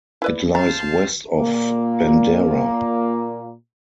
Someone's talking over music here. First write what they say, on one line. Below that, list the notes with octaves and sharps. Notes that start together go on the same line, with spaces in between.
It lies west of Bandera.
E4 B4 D5
C5 F5 A5 A#5
A#2 A#3